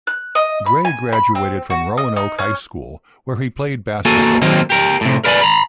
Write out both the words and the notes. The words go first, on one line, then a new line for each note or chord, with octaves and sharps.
Gray graduated from Roanoke High School, where he played basketball.
F#6
D#5
B5
G#5
B5
C4
F#4
D#5
D#4
C#4
A#3 F#4 A4 G#5
D#3 F#3 A#3 C4
G4 A#4
A2 C3
A#4 B4 D5 E5 G#5 B5
A#5 B5